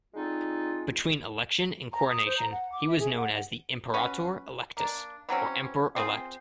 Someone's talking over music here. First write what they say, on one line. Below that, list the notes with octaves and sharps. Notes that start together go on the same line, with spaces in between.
Between election and coronation, he was known as the "imperator electus", or Emperor-elect.
D3 G#3 C4 D#4 F4
A#5
D#6
C5
A#5
F#5
D6
E5
G#4
F#5
C#4 F#4 B4
A#3 D4
E3 F#3 C4 C#4
C4 F4 G#4 C5